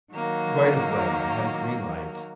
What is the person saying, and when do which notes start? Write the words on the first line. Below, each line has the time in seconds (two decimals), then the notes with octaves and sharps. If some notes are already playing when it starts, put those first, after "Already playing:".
right of way, I had a green light,
0.12 D#3 F#3 A#3